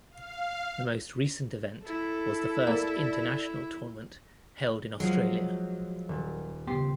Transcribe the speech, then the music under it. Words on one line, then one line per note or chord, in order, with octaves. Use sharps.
The most recent event was the first International tournament held in Australia.
F5
E4 A4
A#3 D5
F3 F#3 G#3
D#1
C#3 B3 G4 C6 C7